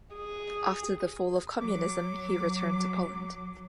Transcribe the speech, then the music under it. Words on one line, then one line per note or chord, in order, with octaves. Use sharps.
After the fall of communism he returned to Poland.
G#4
F#3 D6